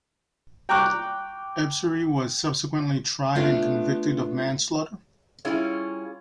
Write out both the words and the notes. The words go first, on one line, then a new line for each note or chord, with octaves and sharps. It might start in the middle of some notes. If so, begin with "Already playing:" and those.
Ebsary was subsequently tried and convicted of manslaughter.
G5 A#5 C#6 D6 F#6
A3 B3 D4 F4
G3 C#4 E4 F4 G#4 C#5